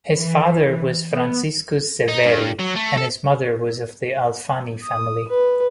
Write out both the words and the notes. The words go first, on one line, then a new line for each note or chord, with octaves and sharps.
His father was Franciscus Severi, and his mother was of the Alfani family.
E3
B3
D#4
G2
F#3
A3
A4
D#6
B4